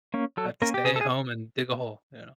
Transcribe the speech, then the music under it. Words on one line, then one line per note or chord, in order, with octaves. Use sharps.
I have to stay at home and dig a hole," you know.
A#3 C#4
F#3 A4
A#3 C#4 A#4
G4
C#3 G#4
A4
G#4